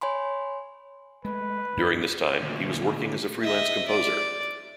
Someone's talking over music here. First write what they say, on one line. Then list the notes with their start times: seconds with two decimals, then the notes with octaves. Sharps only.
During this time, he was working as a freelance composer.
0.01 C#5 G#5 B5 C6
1.25 G#3 A3 B4
1.77 F#2 D4
2.43 D2 A#2
3.41 D#5 E5
3.88 D5